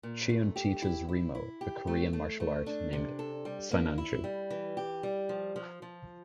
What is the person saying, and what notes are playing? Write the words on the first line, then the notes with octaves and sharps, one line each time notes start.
Chiun teaches Remo the Korean martial art named "Sinanju".
A#2
A3
G4
E4
E4
E4
G4
A3
A3
A3
D4
C3
A4
G3
A#3
E4
G3
E3
G4
G3
F3
F3
F3